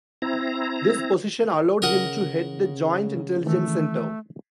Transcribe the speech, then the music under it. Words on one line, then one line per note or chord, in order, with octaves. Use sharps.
This position allowed him to head the Joint Intelligence Centre.
C4 E4 A#5
C#3 A#4 D#5 F#5
D#3 E3 A3